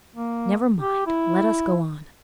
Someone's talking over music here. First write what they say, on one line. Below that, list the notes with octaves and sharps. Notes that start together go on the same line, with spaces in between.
"Never mind; let us go on."
A#3
G4
E4